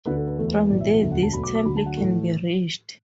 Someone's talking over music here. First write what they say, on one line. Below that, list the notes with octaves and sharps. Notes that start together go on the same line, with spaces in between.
From there this temple can be reached.
D2 D3 A3 B4
A4
B4
E2 E3 A3 A4
B4
B4
B1 A2 E3 D5
E5
F#5
E1 D2 D3 A3 E5
F#5
A5
B1 B2 A3 B5
D6
D6
D2 D3 F#3 B5
A5
F#5
A2 E3 A3